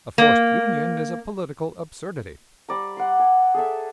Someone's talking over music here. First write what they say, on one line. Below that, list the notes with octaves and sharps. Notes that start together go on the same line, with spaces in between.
A forced union is a political absurdity.
A#3
G3 D5 A#5
F#5 C6
G#5
G#4 A4 E5